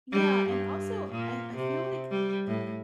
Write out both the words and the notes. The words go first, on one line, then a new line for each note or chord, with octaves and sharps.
Yeah, and also I I feel like,
G3
G2
A#2
C3
G3
A2